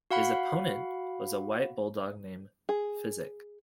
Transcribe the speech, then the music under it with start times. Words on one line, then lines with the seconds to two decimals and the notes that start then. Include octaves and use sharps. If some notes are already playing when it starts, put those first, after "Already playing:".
His "opponent" was a white bulldog named Physic.
0.11 F#4 F5 F#5 B5
2.69 G#4